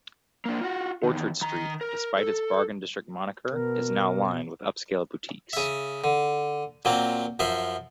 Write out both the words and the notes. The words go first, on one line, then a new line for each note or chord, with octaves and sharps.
Orchard Street, despite its "Bargain District" moniker, is now lined with upscale boutiques.
A#3 D4
F4 F#4
E2 D#3
D#3 A#5
A#4
A4
B2 A#4
C#3 E5
D3
A#2 F#3 A#3 C4
F#2 F3 E5 C6